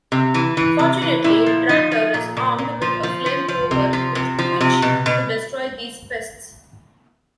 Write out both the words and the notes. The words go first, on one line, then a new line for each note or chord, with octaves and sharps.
Fortunately, Trantor is armed with a flamethrower with which to destroy these pests.
C3
E3
E3
C3
E3
A#2 E4
F3
F3 D#4
F3
A#2
A#2
A#2
F3
F3
F3
F3
C3
F3
C3
F3
C3
B2
B2